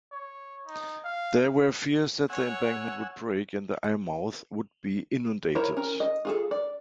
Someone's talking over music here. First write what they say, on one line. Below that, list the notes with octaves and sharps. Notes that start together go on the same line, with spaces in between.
There were fears that the embankment would break and Eyemouth would be inundated.
C#5
D#4
F5
C#5 F#5 G#5 E6
E4 A#4 C5 C#5
C#4 A#4
D#5
F4 G#4 A4
D5